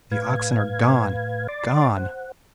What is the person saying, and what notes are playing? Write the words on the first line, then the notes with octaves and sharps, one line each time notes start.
The oxen are--gone--gone!'
A2 B4 F5 G#6
D5 C6 D6 A6
C5 F#5